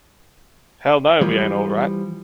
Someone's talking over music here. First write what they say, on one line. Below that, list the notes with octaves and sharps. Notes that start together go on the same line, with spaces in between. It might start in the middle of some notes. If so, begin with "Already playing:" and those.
Hell No We Ain't All Right!
E3 F3 G3